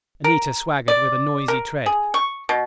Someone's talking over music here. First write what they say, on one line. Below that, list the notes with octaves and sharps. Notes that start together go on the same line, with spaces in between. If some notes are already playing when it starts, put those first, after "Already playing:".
Anita swaggered with a noisy tread.
A#4
D5
A#4
G#4
C#6
B2